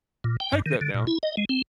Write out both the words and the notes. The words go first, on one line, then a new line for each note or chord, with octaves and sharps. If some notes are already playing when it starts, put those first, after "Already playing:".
take that down.
A#2
G5
G2
D#3
D3
A#2
E4
D#5
G#3
C4